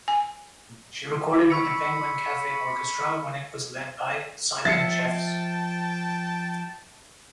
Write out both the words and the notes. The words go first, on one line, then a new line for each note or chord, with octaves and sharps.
She recorded with the Penguin Cafe Orchestra when it was led by Simon Jeffes.
G#5
B5 C#6 E6 C#7
F3 E5 G5 A5 A6 C7 C#7